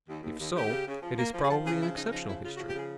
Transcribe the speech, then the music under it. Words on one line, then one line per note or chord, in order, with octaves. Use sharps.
If so, it is probably an exceptional history.
D#2
D#2
D#2
D#2 G4
C#3
C#3
F3
A#3
F3
G#4
F3 A4
C#3 G#4
F3 E4
C#3 D#4
F3 D#4
C#3 E4
C#3 F4
F#4
F3
G4
C#3 G#4